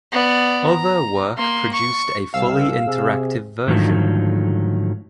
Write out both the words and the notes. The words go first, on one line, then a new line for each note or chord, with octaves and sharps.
Other work produced a fully interactive version.
B3 D5
A#5
A#3 C6
C#6
C2 F5 E6
C3 G#4
G#2 D3 D#3 F3 F#3 A3